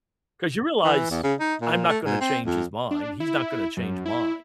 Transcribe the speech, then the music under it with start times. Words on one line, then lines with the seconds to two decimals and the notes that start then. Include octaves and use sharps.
'Cause you realize, I'm not gonna change his mind, he's not gonna change mine.
0.85 E3
1.11 E2
1.24 C#3
1.40 D#4
1.61 A#2
1.89 A3
2.05 G#2
2.21 C4
2.46 F2
2.91 D4
3.20 E4
3.77 F#2
4.05 E4